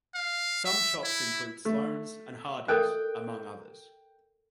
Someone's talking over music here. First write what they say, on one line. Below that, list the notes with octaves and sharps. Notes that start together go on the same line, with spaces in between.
Some shops include Sloan's and Hardees, among others.
F5
E5
E4
A3
A4 A#4 D#5 G5 F#6